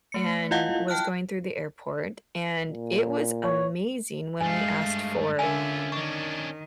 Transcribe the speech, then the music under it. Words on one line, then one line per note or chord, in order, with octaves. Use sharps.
and was going through the airport, and it was amazing when we asked for
A3 C#7
E4 F4 D#5 F5 F#5
G5 A5 F6 F#6
A#2
C#5
G2 G#3 A3 F5 G#5
D3 C#4 F4 A#4 E5 G#5
D#3 C#4 D4 C#6